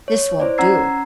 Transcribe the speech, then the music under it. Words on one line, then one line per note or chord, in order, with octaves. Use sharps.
This won't do.
C#5
E4 C5 D5
C#4 F#5 A#5 E6 G#6 C7